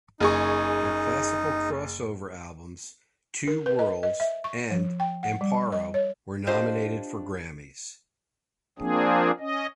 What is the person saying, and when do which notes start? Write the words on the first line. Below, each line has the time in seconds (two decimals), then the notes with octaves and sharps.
Their classical crossover albums, "Two Worlds" and "Amparo", were nominated for Grammys.
0.20 F#1 D#4 G#4 C#6
3.47 A#4
3.66 B4
3.79 D#5
4.03 D#5
4.20 E5
4.44 C#6
4.71 F3
5.00 G5
5.23 F#5
5.41 G3
5.72 D#5
5.94 C#5
6.47 D4 F4 G4 C5 D#5
8.79 F3 A#3 C4 D4 G#4
9.40 C#4 D#5